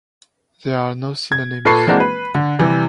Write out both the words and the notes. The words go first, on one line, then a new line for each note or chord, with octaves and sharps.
There are no synonyms.
G#6
A#2 A4 B4 C#6 C7
E3 G#3 A#3 C4 D4 F#4
B4
D3
C3 E3 G3